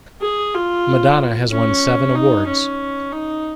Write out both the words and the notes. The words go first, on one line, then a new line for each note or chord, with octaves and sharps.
Madonna has won seven awards.
G#4
F4
C#4
D#4
C#4
D#4